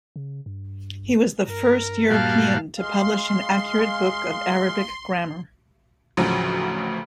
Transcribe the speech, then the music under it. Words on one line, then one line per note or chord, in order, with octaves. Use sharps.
He was the first European to publish an accurate book of Arabic grammar.
C#3
G2
G2 A#4
A#2 G3 F#4 F5 A5
G#3 F5 C6
A1 D2 C#3 F3 F#3